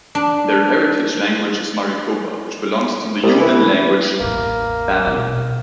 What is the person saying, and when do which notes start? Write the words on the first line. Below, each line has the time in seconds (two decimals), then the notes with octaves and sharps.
Their heritage language is Maricopa, which belongs to the Yuman language family.
0.15 D4
3.23 C2
3.40 E3
4.20 A1 E2 A#3
5.06 A#1 B2